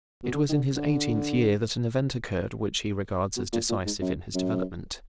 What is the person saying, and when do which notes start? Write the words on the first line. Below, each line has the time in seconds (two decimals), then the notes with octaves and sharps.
It was in his eighteenth year that an event occurred which he regards as decisive in his development.
0.23 B2
0.33 D3
0.49 D#3
0.54 D3
0.76 D3
3.36 B2
3.53 A#2
3.69 A#2
3.86 G#2
4.01 F#2
4.35 F#2